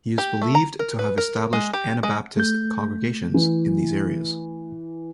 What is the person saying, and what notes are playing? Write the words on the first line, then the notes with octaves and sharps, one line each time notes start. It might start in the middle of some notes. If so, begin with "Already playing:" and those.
He is believed to have established Anabaptist congregations in these areas.
G4
A3
A#5
A#4
B4
A#4
G#3
G4
G#3
A3 G6
E3